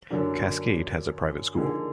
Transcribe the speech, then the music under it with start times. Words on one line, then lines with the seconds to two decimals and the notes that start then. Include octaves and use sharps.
Cascade has a private school.
0.10 F#2 D3 F#3 A#3 D4
1.54 D3 F3 A#3 D#4 G#4